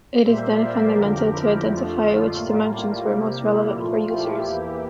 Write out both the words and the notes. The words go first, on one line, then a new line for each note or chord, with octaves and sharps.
It is then fundamental to identify which dimensions were most relevant for users.
A#2 G3 A#3 C5 E5
A#4 D5
F2 D3 F3 G4 A#4
E4
F2 D3 F3 A3 F4
A2 G3 A#3
C3 G3 A#3
E4
A#2 F3 A3 F4
E4 G4
E2 E3 A#3